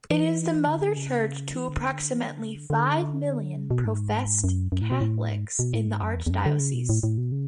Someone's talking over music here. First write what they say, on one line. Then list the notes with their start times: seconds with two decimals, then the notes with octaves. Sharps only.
It is the mother church to approximately five million professed Catholics in the archdiocese.
0.10 E3
0.67 D3
0.97 C#3
1.55 E3
1.69 D3
2.14 E3
2.27 D3
2.40 C#3
2.56 D3
2.70 D3
3.57 C#3
3.70 B2
3.85 G#2
4.44 F#2
4.72 F#2
4.82 A2
4.92 B2
5.01 A2
5.30 G#2
5.59 B2
5.74 A2
5.87 G#2
6.02 F#2
6.16 E2
6.26 E2
6.30 F#2
6.46 D3
6.59 C#3
6.74 B2
6.89 A2
7.03 A2
7.18 B2
7.32 C#3